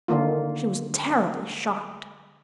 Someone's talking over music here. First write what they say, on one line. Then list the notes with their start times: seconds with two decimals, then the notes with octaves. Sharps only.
She was terribly shocked.
0.08 D3 D#3 A#3 F4